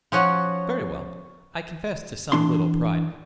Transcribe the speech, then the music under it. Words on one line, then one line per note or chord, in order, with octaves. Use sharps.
Very well: I confess to some little pride.
F3 C#4 F#4
E3 D4 C6